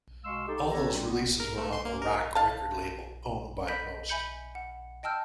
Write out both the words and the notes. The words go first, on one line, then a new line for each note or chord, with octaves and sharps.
All those releases were on the Rak record label, owned by Most.
B2 G#3 F5 C6 C#6 E6
D#4 G4 A4
B3 G4 A4 B4 C#5 A#5
G3 C4 C#4 D#4 F4 F#4
B3
A#4
A3
C6
A#3
A#4
F5 A5
D#5 B5 G6 B6
E5 G#5 B5 G6 C#7
F#5
D#5 G5 A5 E6 F6 G6